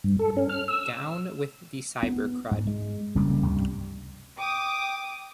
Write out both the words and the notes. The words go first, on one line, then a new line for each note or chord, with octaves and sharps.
Down with the cybercrud.
G2
A4
C#4
F6
E6
B3
G#2
G#3
F1 C#3 G3 A#3
C#2 G2 C3 G3
G5 D6 D#6